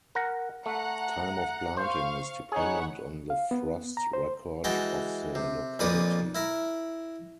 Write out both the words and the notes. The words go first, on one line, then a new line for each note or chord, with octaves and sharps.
Time of planting is dependent on the frost record of the locality.
A#4 F#5 A#5
A3 F#5 A#5
C5 F5 C#6
D#4 G#4 C#5 F#5 B5
F5
B3
A#5
C5
E3 G#3 F#4 E5 G5 A5
C3
F2 A#2 B4 D5 D#6
E4 A#4 E5